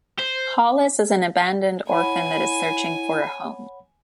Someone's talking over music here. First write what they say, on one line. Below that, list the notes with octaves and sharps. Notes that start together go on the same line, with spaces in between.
Hollis is an abandoned orphan that is searching for a home.
C5
E4 C#5 F#5 G#5 B5